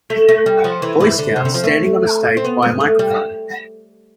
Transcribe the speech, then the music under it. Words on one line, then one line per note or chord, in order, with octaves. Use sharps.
Boy Scouts standing on a stage by a microphone.
A3
A3
G3
F3
E3
E3
D3
C3
D3
F3
A3
C4
B3
B3
A3
G3